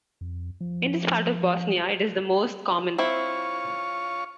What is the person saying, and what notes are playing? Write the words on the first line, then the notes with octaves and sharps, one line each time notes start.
In this part of Bosnia it is the most common.
F2
F3
C4 E4 F4 C#5 C#6